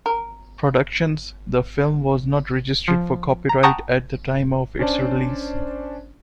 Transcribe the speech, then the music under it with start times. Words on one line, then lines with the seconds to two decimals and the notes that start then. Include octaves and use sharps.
Productions, the film was not registered for copyright at the time of its release.
0.06 A#4
2.88 F3
3.49 A#5
3.63 F#5 G5 A5 A#5 C#6 D#6
4.79 C#4 D4 C5 D5 A5